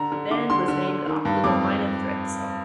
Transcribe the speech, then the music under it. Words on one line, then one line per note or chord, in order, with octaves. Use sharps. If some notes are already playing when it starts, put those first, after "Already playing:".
The band was named after the Minor Threat song.
Already playing: D3 A#5
D3
D3 D6
D3 C6
D3
D3
D#3
G2
F2 D6